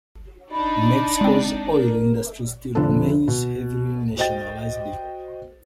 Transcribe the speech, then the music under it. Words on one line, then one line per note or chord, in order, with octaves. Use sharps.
Mexico's oil industry still remains heavily nationalized.
D4 D#4 D5 B5
G#3 C4
A#4
F1 D3 F3 D4 A4
B2
F#4 C5 D#5 G5 A6